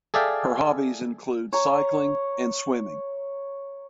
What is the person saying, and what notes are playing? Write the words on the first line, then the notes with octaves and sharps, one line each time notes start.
Her hobbies include cycling and swimming.
G#4 A4 D5 E5 F5 G5
C#5 A#5